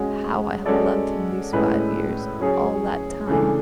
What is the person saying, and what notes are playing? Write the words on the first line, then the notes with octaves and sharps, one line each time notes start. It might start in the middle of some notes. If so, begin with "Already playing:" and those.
How I have loved him these five years, all that time!
Already playing: G#3 C#4 F#4
G#3 C#4 F#4 A4 D5
A2 G#3 C#4 E4 B4
F#3 C#4 G#4 C#5
C#3 E3 A3 D4